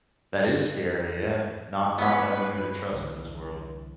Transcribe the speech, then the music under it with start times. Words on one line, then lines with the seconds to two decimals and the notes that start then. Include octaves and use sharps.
That is scary. Yeah. Not not knowing who to trust in this world.
1.98 B3 C#4 B4
2.93 C2 D3 E3